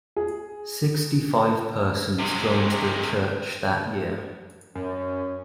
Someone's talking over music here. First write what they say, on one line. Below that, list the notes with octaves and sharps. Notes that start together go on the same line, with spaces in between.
Sixty-five persons joined the church that year.
G#4
C3 G#3
F#2 C#4